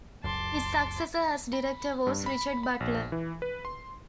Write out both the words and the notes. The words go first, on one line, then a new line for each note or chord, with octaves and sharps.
His successor as director was Richard Butler.
F#1 C#2 F#2 A5 C6 D6
B5
G2
B5
B5
A#1
E3
B4
C6